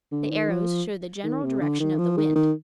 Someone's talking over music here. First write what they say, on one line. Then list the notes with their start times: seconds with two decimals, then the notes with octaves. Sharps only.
The arrows show the general direction of the wind.
0.12 D3
0.31 D#3
0.49 F3
1.24 D#3
1.43 C3
1.61 D3
1.80 D#3
1.98 F3
2.17 D#3
2.36 D#3